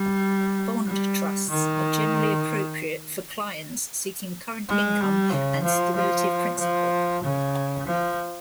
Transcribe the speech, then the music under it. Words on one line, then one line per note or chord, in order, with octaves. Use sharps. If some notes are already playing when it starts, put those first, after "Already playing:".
Bond trusts are generally appropriate for clients seeking current income and stability of principal.
Already playing: G3
G3
D#3
G#3
G3
C#3
F3
F3
F3
C#3
F3